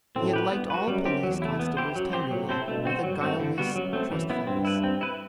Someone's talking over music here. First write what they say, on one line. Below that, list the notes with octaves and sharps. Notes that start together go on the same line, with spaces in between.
He had liked all police constables tenderly, with a guileless trustfulness.
F#2 A2 C4
G4 B4
G2 B3
F#4 B4
F#2 G3
C4 G4
E2 F#3
A3 E4
B3
E4 G4 C5
F#2 F#3
C4 G4 C5
A2 C3 F#3
C4 E4 A4 C5
G2 B2 A3
C4 F#4 C5
G2 F#3
A3 C4 F#4
D3
G3 B3 F#4
F#2 F#3
A3 C4
F#2 E3
B3 E4
G2 C4
E4 B4
C4
E4 B4